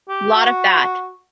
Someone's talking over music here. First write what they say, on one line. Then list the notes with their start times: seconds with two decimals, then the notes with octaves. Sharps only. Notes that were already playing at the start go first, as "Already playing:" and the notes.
Lot of that.
0.09 G4
0.35 F#4